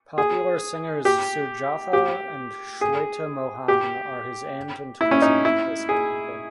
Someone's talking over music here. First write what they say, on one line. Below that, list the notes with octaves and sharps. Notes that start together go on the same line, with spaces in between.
Popular singers Sujatha and Shweta Mohan are his aunt and cousin respectively.
G#4
G4
G4
G#4
G4
E4
C#4
D#4
E4
G#4